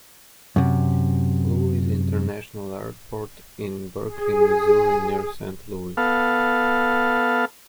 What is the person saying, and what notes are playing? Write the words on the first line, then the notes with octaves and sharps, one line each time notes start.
Louis International Airport, in Berkeley, Missouri, near Saint Louis.
F#2 C3
G#4
B3 A4 F5